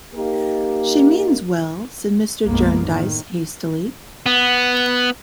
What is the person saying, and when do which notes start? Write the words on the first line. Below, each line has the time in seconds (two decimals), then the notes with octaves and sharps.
"She means well," said Mr. Jarndyce hastily.
0.15 A#3 D#4 G4
2.45 F#1 B1 G#3 A#3 B3
2.80 A2 D#3
4.26 B3